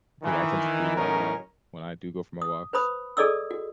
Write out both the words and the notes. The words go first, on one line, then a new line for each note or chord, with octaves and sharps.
'cause I tend to do that a lot when I do go for my walks.
D#3 E3
F#2 A2 C#4 D#4 A#4
D#6
B4 C5 B5 D#6
G#4 A4 D5 D#5 D#6 E6
F#4